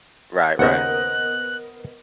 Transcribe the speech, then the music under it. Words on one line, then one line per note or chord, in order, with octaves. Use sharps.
Right. Right.
D#2 C#3 B3 A#4 C5 D#5 F#5 F#6